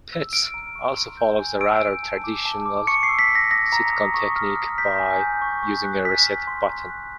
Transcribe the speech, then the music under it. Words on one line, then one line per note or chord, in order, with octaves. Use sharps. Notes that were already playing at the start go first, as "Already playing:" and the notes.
"Pets" also follows a rather traditional sitcom technique by using a "reset button".
E6
F6 D7
A#5
C#6
C6
G6
G#5
E6 D7
E6
A5
D6
A5
D6
C#6 C#7
C7
E6
B6
E6 A#6
D#6 A#6
A#5
D#6
C#6
F6
F6
G6 B6
G#5
G6
C#6
C#6
F#6
F6 B6
F6
C6
A#5
F#6